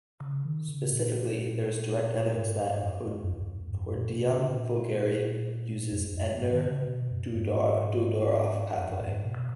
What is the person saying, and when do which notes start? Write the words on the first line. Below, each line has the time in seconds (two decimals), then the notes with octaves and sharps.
Specifically, there is direct evidence that "Hordeum vulgare" uses the Entner-Doudoroff pathway.
0.20 C#3
0.45 D#3
0.69 C#3
0.92 A#2
2.35 G#2
2.59 G#2
2.83 F#2
3.06 F#2
3.24 F#2
3.33 F2
3.42 F#2
3.60 F2
3.70 G#2
3.78 F#2
3.95 A#2
4.13 B2
4.31 C#3
4.49 A#2
5.92 F2
6.06 F2
6.16 F#2
6.40 G#2
6.52 D#3
6.63 C#3
6.87 B2
7.11 F#2
7.35 G#2
8.78 F#2
8.90 F#2
9.01 G#2
9.25 B2
9.39 B2